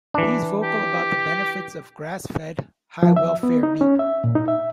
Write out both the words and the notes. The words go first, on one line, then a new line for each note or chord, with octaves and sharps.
He's vocal about the benefits of grass fed, high welfare meat.
E3 D4
G4
F3
E5
B3
D#4
C#4
E5
A#2
D#4
E5